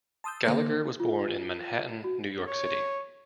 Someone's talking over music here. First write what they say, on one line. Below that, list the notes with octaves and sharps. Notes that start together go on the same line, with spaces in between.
Gallagher was born in Manhattan, New York City.
A5 C6 D#6 E6 G6
D3 A#3 A4 C5
F4
F#4
C#5